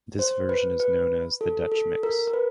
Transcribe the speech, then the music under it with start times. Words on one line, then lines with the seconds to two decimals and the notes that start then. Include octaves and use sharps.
This version is known as the 'Dutch Mix.
0.19 C5
0.49 B4
0.80 B4
1.41 A4
1.72 A4
2.03 A#4
2.27 A#4
2.34 B4